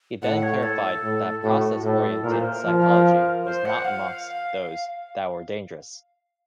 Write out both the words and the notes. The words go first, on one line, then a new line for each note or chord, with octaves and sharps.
He then clarified that process oriented psychology was not amongst those that were dangerous.
A2 F#5
C#5
A4
A2
A2 F#4
A2 A4
A#2 A#4
C5
A#4
F3
C5
F#5
F5